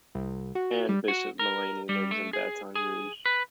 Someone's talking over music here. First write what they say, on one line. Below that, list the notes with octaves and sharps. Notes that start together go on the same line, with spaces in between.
Ann Bishop Mullany lives in Baton Rouge.
C2
F#4
G3
F#4
A#4
G3
A3
G#4
G#4
B4